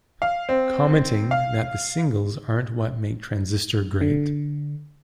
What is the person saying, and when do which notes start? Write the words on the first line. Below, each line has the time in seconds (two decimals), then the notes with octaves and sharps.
Commenting that the singles aren't what make Transistor great.
0.22 F5
0.49 C4
1.31 F5
4.01 D3